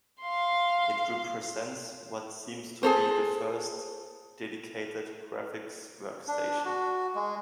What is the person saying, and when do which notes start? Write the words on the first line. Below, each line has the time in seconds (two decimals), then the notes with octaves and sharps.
It represents what seems to be the first dedicated graphics workstation.
0.21 F5 C6
2.83 G#4 A4 C5
6.28 D4
6.65 F#4
7.15 G#3